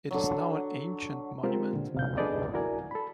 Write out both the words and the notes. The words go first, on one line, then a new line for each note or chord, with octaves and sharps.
It is now an ancient monument.
D3 F#3
G#3 C4 F4 G4 A#4 C5
A#2 D3
C3 F5 G6
D4 G#4 A4 B4 D5 D#5
E4 F#4 A#4 D5 G#5
A4 B5